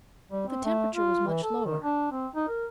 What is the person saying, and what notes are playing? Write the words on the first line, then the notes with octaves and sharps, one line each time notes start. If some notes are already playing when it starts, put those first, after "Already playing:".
But the temperature was much lower.
G3
C4
A3
F4
E3
A4
D#3
D4
C4
D#4
A#4